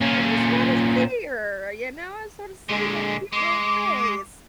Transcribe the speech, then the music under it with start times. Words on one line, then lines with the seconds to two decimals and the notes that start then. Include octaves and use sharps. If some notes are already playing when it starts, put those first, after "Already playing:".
I just wanna see her, you know, I just wanna see that cute little face.
0.01 A#2 C#4
2.69 A#2 D3 G#3
3.33 G#3 D6